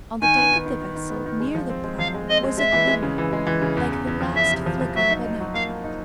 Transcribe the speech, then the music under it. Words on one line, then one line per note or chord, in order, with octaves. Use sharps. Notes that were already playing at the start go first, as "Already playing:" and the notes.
On the deck of the vessel, near the prow, was a glimmer, like the last flicker of a night-light.
D#3 G#5
B3
D#3
D#3
D#3
D#3
B3
D#3
G#3
F3
C4
G#3
F3 F5
G#3
C4 D#5
G#3
G#3 E5
E3
G#3
C#3
E3
G#3
E3
C#3
E2
E2
E2
F3
E2 E5
C3
F3
F3
F#3 E5
D#4
D#4
F#3
A#3 F5
A#3
D#4